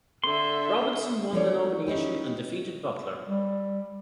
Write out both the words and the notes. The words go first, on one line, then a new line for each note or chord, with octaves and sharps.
Robinson won the nomination and defeated Butler.
D3 E5 C6
F3 D4 A4 B4 C#5 D5
C#4 D#4 E4 G4
G3